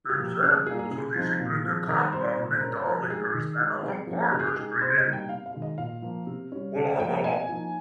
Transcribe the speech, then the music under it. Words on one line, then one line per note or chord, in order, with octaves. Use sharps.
Examples of these include "The Compound" in Darlinghurst and along Palmer Street in Woolloomooloo.
G4
F3 A#3
G4
C#3 G#4
G3 A#3 G#4
G#4
C#3 G#4
F3 C4 D#4
A#2
F3 C4
D#3 A#4
G3 C4 D#4 C5
A#2 C5
C5
G#3 C#4 A#4
C5
F3 A#4
G4
G#3 D#4 G#4
D#3
G#3 D#4
C3
F3 A#3 C#4
C#3 G4
G#4
G4
G#3 D#4 G#4
C3 C5
D#5
G3 A#3 D#4
G5
C3 F5
F5
D#3 G#3
D#5
A#2 F5
F3 A#3
C3
G3 C#4
C#3
F3 A#3 G5
C3 G#5
F3 A#3 D#4